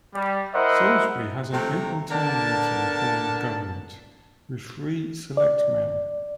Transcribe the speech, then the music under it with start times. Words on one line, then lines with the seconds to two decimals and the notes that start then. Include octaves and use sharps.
Salisbury has an Open Town Meeting form of government, with three Selectmen.
0.14 G3
0.54 E4 A#4 C5 D#5 E5 F#5
1.52 C3 F3 A3 C4 G5 A#5
2.11 D3 B3 A#4 D5 A5
5.37 D5